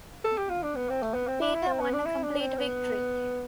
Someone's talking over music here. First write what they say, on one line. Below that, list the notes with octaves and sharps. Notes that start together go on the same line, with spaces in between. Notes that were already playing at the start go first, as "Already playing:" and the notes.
Peter won a complete victory.
A4
G4
F4
D4
B3
C4
A3
B3
C4
D4
E4
C4
B3
D4
E4
D4
C4
B3